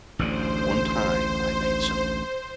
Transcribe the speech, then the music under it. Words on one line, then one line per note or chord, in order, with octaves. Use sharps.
one time, I made some
A1 D2 D3 C5